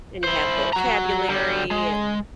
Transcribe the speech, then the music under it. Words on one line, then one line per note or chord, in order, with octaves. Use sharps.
And you have vocabulary and
E4 C5
F#4 A#5
D3 G3
G#3